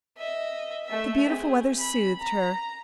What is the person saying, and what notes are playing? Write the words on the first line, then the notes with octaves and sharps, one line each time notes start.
The beautiful weather soothed her.
D#5 E5
A3 E5
C4 G#4
B5
A#5